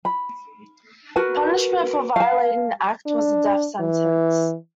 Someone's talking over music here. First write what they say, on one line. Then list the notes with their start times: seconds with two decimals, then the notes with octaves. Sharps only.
Punishment for violating the act was a death sentence.
0.05 B5
1.16 F#4 A#4 B4 A5
2.16 F5 A5
3.06 D4
3.80 E3